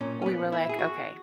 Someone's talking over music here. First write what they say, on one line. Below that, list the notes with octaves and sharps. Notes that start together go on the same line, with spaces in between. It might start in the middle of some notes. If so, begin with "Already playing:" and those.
we were like, "Okay.
A#2 C#4
C#4
B3
E4
G#4
F#4